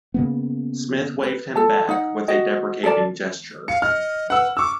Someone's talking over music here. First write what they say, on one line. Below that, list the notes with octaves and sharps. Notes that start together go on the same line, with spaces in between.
Smith waved him back with a deprecating gesture.
C#3 A#3 B3
B4
A4 A5
D#4 F#5
F#4 D#5 G5
A4 A#4 D5 A5
F5 C#7
D#5 F6
B4 F#5 E6
C#6 D6 E6